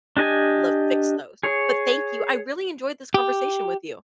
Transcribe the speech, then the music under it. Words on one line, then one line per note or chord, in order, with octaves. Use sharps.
l fix those. But thank you, I really enjoyed this conversation with you.
D4 G4 D#5 G#5
G#4 C#5
G4